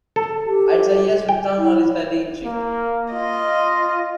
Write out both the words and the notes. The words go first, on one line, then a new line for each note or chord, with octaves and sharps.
I'd say yes, with tongue only slightly in cheek.
A4
G4
G5
E4
A#3
F4 D#5